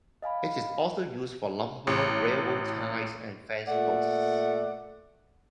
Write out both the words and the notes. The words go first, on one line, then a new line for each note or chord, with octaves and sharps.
It is also used for lumber, railroad ties, and fence posts.
D#5 F5 G#5 B5
A1
A#2 A3 D5 F#5